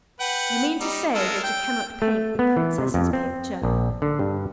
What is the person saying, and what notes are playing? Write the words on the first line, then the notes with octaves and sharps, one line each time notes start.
"You mean to say that you cannot paint the Princess's picture?"
B4 F#5 G5
G3 D#4
G#3 A4 A#4
G5
A3
B3
E3
C3
F2
C4
A#1
D3
G2